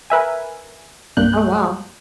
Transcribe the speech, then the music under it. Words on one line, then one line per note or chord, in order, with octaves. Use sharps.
Oh, wow.
A#4 B4 E5 G#5
C2 G2 A#3 F#6 G6